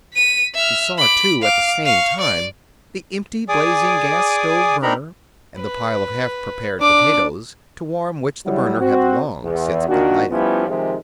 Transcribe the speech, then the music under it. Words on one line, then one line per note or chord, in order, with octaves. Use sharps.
She saw, too, at the same time, the empty, blazing gas-stove burner, and the pile of half-prepared potatoes, to warm which the burner had long since been lighted.
B6 D#7
E5 F6
B5 D6
F5 D6
F5 C#6
D5
G#4 D5 G#5 D6 D#6
C4 D4 D#4 A#4 A#5 B5
B4
D4 D6
F#3 G3 E4
C4 F#4
E2
A#2 D#3 D4 F#4
F3 G3 B3 C#4 E4 F4
C3 D#3 F3 G#3